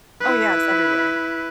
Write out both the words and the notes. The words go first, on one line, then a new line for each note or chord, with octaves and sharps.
Oh, yeah, it's everywhere.
E4 B4